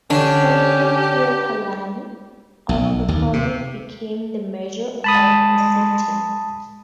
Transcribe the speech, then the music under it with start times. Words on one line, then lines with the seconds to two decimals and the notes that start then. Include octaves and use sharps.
Policarpio Calani of Fercomin became the mayor of the city.
0.10 D3 C#4 D4 G4 C#5
2.69 B1
3.08 D#2
3.33 C3
5.04 G#3 A5 B5 D#6